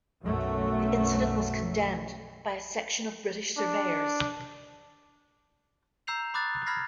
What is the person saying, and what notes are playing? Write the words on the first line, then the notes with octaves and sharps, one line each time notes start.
The incident was condemned by a section of British surveyors.
B1 F#2 F#3 A3
D4
A#5 E6 G6 C7 F7
B5 D6 D#6 F#6 A6
A#5 B5 F6 G#6 A#6 C7